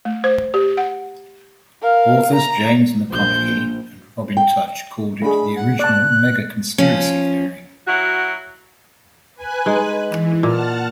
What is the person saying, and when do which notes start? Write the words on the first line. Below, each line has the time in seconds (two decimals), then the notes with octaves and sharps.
Authors James McConnachie and Robin Tudge called it the original mega-conspiracy theory.
0.05 A3
0.24 C5
0.54 G4
0.77 F#5
1.82 A#4 F5
2.34 A#5
3.11 A#1 C5 G6
4.37 G5
5.22 A3 D4 G#4 B5
5.55 F#5
5.79 D5 A5 F#6
6.78 F3 C#4
7.87 F#3 E4 F#4
9.35 B4 G#5 F#6
9.66 G#3 D#4
10.09 E3
10.43 A#2 F#5 A5 F6